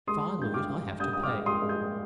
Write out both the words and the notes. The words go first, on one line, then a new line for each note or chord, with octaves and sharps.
If I lose I have to pay.
G#3 C6 D#6
G2 G6
D6 F6
G2
G2 D#6 G6
D#6
D6 F6
G#3
C6 D#6
G#3
D#6 G6